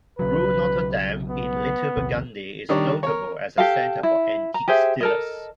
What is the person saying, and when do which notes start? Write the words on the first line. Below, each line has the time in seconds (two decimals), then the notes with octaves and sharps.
Rue Notre-Dame in Little Burgundy is notable as a centre for antiques dealers.
0.19 B1 C#3 F#3 B4
1.30 B3
1.97 A#1 D#2 C3
2.69 D#3 G3 D4 C#5
3.03 A#4 C#5
3.58 G4 A4 F5
4.03 E4
4.54 A#5
4.68 G4 G#4 C5 E5
5.01 A4 A#4 D#5